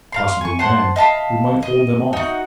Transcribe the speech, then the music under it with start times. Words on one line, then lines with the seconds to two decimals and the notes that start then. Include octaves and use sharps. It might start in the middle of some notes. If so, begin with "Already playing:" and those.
Possibly then we might hold them off.
0.12 F5 A#5 C6
0.41 G#5 C#6
0.59 C5 F#5 A5 C6
0.96 D#5 F5 A5 B5
1.63 D#5
2.13 D#4 F#4